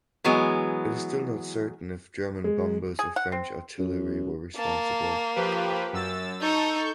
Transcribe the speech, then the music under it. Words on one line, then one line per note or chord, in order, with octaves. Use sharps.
It is still not certain if German bombers or French artillery were responsible.
E3 F#3 G#3 B3
G#3
G#4
F#5
C4
F#2
A#3 A5
F3 G4 B4
F#2 E6 A6
D#4 A4 C#6 G6